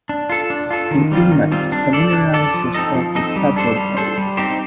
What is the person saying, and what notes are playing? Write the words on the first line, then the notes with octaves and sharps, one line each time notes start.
In Emacs, familiarize yourself with subword mode.
D4
F4 A4
D4
F4 A4
D#3
G3 C4 F4
D#3
G3 C4 F4
D4
A4 D5
D4
A4 D5
F3
C4 D#4 A4 D#5
F3
C4 D#4 A4 D#5
G3
D4 A4 C5
G3
D4 A4 C5
G3
C4 D#4 G4 C5